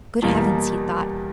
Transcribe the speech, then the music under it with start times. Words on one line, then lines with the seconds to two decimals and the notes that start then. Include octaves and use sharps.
"Good heavens!" he thought.
0.22 E2 B2 G3 A#3